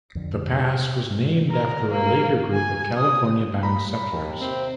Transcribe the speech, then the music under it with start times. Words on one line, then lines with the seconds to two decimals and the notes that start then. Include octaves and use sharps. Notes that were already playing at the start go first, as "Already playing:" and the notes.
The pass was named after a later group of California-bound settlers.
0.15 F2 D3
1.51 A#4
1.91 A#3
2.52 G#5
2.97 D#6
3.63 A#5 B5
4.11 D#2
4.40 C3 C4